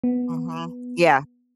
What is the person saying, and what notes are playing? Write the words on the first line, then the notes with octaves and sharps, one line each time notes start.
Mhm, yeah.
B3